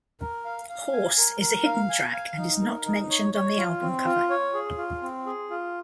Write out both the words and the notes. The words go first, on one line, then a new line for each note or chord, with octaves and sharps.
"Horse" is a hidden track and is not mentioned on the album cover.
A#4
F5
F5
G#5
A#4
A#4
F5
G#5
F5
D#4
A#4
D#4
C#5
C#5
F4
C4
F4
C#5
G#4
F4
C4
G#4
F4